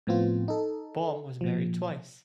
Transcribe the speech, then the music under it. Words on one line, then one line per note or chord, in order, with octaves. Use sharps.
Baum was married twice.
A2 F3 B3 C4 F4
D#4 A4
A#2 F3